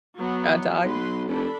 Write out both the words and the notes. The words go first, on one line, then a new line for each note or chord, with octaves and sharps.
A dog?
F#3 B3
B1 F#3 B4 C6
F1 D4 A4 B5